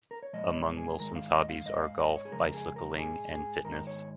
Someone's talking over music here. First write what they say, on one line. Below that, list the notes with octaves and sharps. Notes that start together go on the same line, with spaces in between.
Among Wilson's hobbies are golf, bicycling, and fitness.
A#4
C#5
A#2 F3 G#3 D#5
C#5
G#4
G#2 D#3 G#3 A#4
F5
D#5
F5
G#2 G#3 D#5
F5
D#5
C#5
G#4
F2 C#3 F3 G#3 A#4
G#4
A#4
G#2 G#3 G#4
G#4
G#2 D#3 G#3 A#4
C#5